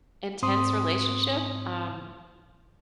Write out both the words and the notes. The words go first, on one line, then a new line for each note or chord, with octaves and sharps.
intense relationship, um
G#2 C4 C6 D#6